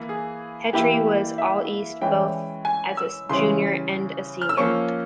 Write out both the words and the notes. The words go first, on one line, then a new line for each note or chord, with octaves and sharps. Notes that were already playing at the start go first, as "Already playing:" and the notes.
Petrie was All-East both as a junior and a senior.
Already playing: E3 A#3 E4
G#4
E3 A#3 E4 G4
E5
E3 G#3 C#4 E4 G5
G#5
E6
C#3 E3 G3 C#4 C6
F6
E6
F3 A#3 C#4 C#6